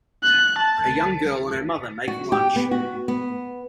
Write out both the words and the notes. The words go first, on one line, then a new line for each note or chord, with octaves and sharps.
A young girl and her mother making lunch.
F#6
A5
F#4
G4
B3
F#4
B3